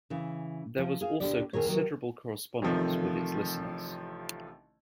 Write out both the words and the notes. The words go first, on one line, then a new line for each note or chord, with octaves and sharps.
There was also considerable correspondence with its listeners.
C#3 E3
F3
G#4 F5
D2 B2 D3 G4 D5
D#3 G#4 A#4 C#5
A2 C3 D#3 F#3
A1 C3 D#3 F3 A3